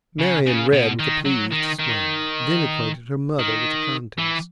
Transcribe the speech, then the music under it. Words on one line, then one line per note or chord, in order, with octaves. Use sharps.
Marian read with a pleased smile, then acquainted her mother with the contents.
C#3
C#3
B2
D#3
F#3
D#3
D#3
D#3
E3